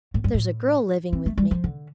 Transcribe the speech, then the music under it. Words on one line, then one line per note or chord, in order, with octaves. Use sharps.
'There's a girl living with me.
A2
G2
A2
C4
A3
G3
F3
D3